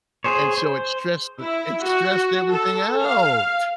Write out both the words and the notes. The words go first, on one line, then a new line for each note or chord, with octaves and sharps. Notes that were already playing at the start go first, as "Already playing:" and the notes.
and so it stressed the it stressed everything out.
G#4 C5 C#5
C5
E4
F#4
A4
F5